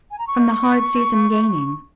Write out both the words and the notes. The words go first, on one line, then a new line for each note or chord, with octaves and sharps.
From the hard season gaining?
G#5
A#5
C#6